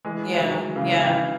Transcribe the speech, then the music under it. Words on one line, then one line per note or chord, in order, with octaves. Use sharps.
Yeah. Yeah.
E3 G#3
G#3
D#3 F#3
C#3 E3
C#3 E3